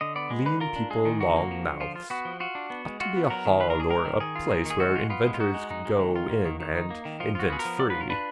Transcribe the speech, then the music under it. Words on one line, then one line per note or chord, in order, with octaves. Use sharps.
Lean people long mouths. Ought to be a hall or a place where inventors could go in and invent free.
D3 D#5
B3 D5
G#3
D3 B4
F4 A#4
D4
G#3 G#4
D#3
D3 F#4
A#3
F3
D3
F3 F4
F4
B3 F#4
F3
F4 F#4
D4
B3
G#3
F4 F#4
B3
F#3 A#4
D#3
F4 B4
A#4
D4 G#4
G#3 A#4
D#3
D#3 G#4
F4
A#3
D#3 G#4
G#3 F#4
F4
B3 F4
G#3
F4
D#4 F#4
G#3
D#4
G#3
D#3
F4
A#3
D#3
D#3
D#4
A#3
D#3
F3 F4
F4 F#4
B3 G#4
A#4
F3
F#3 D5
F4 B4
A#4
D4 B4